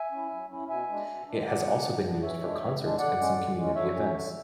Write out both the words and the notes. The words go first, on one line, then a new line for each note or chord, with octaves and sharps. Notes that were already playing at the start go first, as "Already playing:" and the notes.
It has also been used for concerts and some community events.
Already playing: E5 G#5
C#4 E4
F#3
C#4 E4
B2 E5 G#5
G#3 D4
B2
G#3 D4
E3 D5 F#5
B3 D4
E3
B3 D4
E3 C#5 E5
G#3 D4
E3
G#3 D4
D3 D5 F#5
G#3 C#4
D3
G#3 C#4
D3 C#5 E5
F#3 C#4
D3